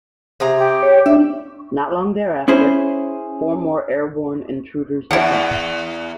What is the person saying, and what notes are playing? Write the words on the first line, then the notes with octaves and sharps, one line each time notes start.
Not long thereafter, four more airborne intruders attacked.
C3 G#4 A#5
G4
C#5
D4 E5
C#4 E4 G#4 C5
E2 E4 F#5